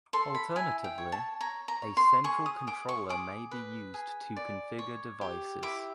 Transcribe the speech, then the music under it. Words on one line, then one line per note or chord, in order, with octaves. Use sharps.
Alternatively, a central controller may be used to configure devices.
A4 C6
B5
E4 G#5
G5
C#5
A5
C#5 A#5
A#5
C#5
C6
G#4 C#6
D#6
G#4 D6
C#6
G#4 D6
B4
G#4
D5
C#5
G4
E4 D6